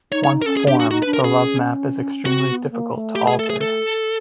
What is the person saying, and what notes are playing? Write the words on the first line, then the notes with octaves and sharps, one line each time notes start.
Once formed, the lovemap is extremely difficult to alter.
D#4 C#5
C#5
A#4
C#4 A4
G#4
D4 G4
F#4
D#4 F#4
B4
D4
A#4
C#4 G#4
C4 F#4
B3
A#3
A3
G4
G#4
A4
G#4
A4